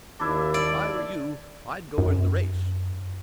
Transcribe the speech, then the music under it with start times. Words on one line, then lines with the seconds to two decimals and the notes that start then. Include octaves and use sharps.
If I were you I'd go in the race.
0.20 D#2 D4 E4 E5
0.54 D5 E5
1.98 F#2